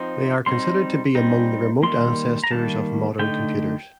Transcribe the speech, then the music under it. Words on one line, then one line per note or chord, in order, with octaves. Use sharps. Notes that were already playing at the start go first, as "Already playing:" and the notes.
They are considered to be among the remote ancestors of modern computers.
Already playing: F3 C4 D#4
G3 C4 D#4 C6
G3 C4 D#4
D#3 G3 A#3 C6
A#5
D#3 G3 A#3 A5
D3 A3 D#4 G5